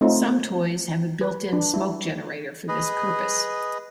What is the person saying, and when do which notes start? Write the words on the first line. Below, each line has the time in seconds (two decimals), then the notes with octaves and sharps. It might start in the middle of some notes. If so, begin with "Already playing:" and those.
Some toys have a built-in smoke generator for this purpose.
0.01 A3 C4 D#4 F4
1.21 B4
1.53 D4
1.74 E4
2.68 G#4 B4 D#5